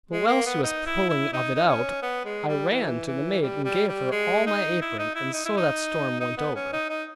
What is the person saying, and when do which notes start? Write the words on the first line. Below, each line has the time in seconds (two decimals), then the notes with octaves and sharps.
But while she was pulling of it out I ran to the maid and gave her all my apron, and so that storm went over.
0.11 G#3
0.28 A#3
0.46 B3
0.63 D#4
0.86 E4
1.09 E4
1.33 D#4
1.55 D#4
1.67 C#4
2.03 B3
2.25 G#3
2.48 G3
2.71 E3
3.07 E3
3.41 G3
3.65 G3
3.88 G3
4.11 G#3
4.47 D#4
4.82 E4
4.99 D#4
5.15 E4
5.33 D#4
5.45 E4
5.57 D#4
6.20 D#4
6.38 B3
6.55 C#4
6.73 D#4
6.89 D#4